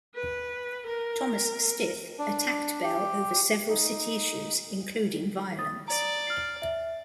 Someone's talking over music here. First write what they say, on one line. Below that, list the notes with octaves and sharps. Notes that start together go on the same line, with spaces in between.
Thomas Stith attacked Bell over several city issues including violence.
B4
A#4
D4
G4
D#4
D#6 A6
D5 A#5
F6 C7
E5